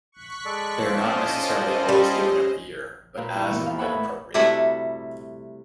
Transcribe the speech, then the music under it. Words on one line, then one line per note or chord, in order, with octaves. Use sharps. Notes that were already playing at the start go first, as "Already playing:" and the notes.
They are not necessarily always given every year, but as and when appropriate.
C#6 F#6 B6
G#3 A4 D5
C#4 F4 A4 C5 D5 D#5
G3
A#2 A#4 B4
E4 C#6
E3 A#3 B3
D#2 F5
A4 B4 C#5 E5 F#5 B5
A2
C3 G3 A3 E4 F#4